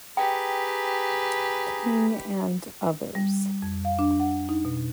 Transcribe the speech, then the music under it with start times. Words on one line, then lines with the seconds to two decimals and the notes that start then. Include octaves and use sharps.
King and others.
0.17 G4 G#4 B4 G5 A#5
3.15 G3
3.62 F2
3.85 F5
3.99 D4
4.20 F#5
4.49 D#4
4.65 B2